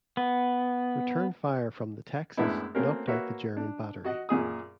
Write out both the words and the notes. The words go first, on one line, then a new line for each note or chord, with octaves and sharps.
Return fire from the "Texas" knocked out the German battery.
B3
F#2 A2 G#3 B3 D4 E4
A3 A#3 C4 C#4 F#4 A#4
A#3 F#4 B4 C#5 E5
D4
F#4 D#5 F#5
F#2 A#2 G#4 D#6